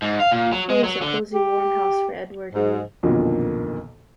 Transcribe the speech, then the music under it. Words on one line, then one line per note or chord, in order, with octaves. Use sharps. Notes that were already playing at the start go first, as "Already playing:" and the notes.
Here's a cozy warm house for Edward and me.
G#2
F5
A#2
F#3
G#3
F#3
D3
G4
G#2
B1 F2 A#2 D3 D#3 A#3